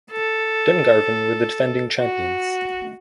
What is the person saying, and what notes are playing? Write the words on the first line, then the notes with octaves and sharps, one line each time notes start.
Dungarvan were the defending champions.
A4
F#4